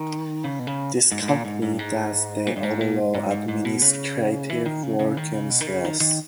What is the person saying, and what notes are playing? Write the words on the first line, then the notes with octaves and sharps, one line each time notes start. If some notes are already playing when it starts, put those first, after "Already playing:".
This company does the overall administrative work and sales.
Already playing: D#3
C#3
B2
C#3
G#2
G#2
A#2
G#2
G#2
G2
G#2
A#2
G2
G#2
A#2
G#2
G#2
G#2
B2
C#3
E3
D#3
C#3
C#3
D#3
C#3
B2
D#3
C#3
D#3
D#3